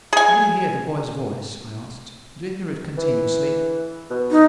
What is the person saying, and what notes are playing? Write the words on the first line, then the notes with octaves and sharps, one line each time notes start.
"When you hear the boy's voice," I asked, "do you hear it continuously?"
G#4 G#5
E3
B2
D#4